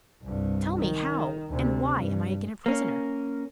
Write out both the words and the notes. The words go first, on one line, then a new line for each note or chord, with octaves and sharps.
"Tell me how and why am I again a prisoner?"
C2 G2
D#3
D2 C3
G2
A#3 C#4